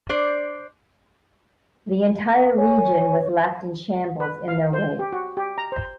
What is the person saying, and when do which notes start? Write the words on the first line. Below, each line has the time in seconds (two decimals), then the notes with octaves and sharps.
The entire region was left in shambles in their wake.
0.09 D4 C5 D5
2.58 C#5 G#5
4.20 B4
4.48 F5
4.73 C5
4.99 G4
5.13 F#4
5.37 G4
5.58 A#5
5.72 C5